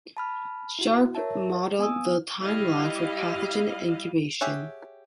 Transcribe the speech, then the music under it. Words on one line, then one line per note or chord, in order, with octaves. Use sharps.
Sharpe, modeled the time lag for pathogen incubation.
A5 B5 F6
E4 F#4
A#4 C#5 E5 A5
B3 G#5 D#6 E6
G3 E4 D#5 F5
G4 G#4 C#5 E5 F#5